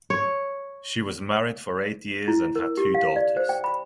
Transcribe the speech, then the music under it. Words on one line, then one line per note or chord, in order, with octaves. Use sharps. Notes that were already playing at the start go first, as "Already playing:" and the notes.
She was married for eight years and had two daughters.
C#5
E4
A#4
G4
F5
D5
C5
G5
B5